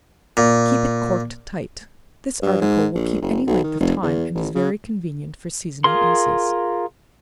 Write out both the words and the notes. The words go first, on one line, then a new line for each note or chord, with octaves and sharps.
Keep it corked tight. This article will keep any length of time, and is very convenient for seasoning ices.
A#2
G2
G#2
A#1
F#1
B1
D#3
F1
E2
A1
C#3
F4 G#4 A#4 C6